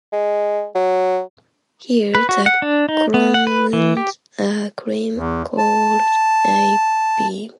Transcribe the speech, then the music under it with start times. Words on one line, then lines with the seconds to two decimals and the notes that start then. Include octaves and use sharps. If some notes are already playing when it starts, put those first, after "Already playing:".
Here, the columns are cream colored I-beams.
0.13 G#3
0.75 F#3
2.15 B4
2.29 F#4
2.46 F#5
2.62 D4
2.89 D#4
3.14 B3
3.34 F#5
3.47 B4
3.73 E3
3.97 G4
5.16 E2
5.58 A5